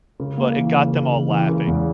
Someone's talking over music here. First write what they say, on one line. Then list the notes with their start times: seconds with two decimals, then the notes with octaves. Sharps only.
but it got them all laughing.
0.20 C#3
0.38 A#3
0.56 E3
0.75 C#3
0.93 C#3
1.12 E3
1.30 E3
1.49 C#3
1.67 E2